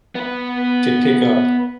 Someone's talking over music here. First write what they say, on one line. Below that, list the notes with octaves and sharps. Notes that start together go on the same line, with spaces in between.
to pick up
B3 B4